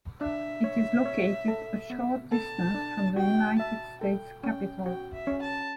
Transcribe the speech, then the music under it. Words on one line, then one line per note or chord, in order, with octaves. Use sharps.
It is located a short distance from the United States Capitol.
D4 E5
C#5
C#5
A4
B3
A4 A5
D4
F#4 G5
E5 A5
A4 G5
C#4 G5
F#4 G5
E5
C#4
A5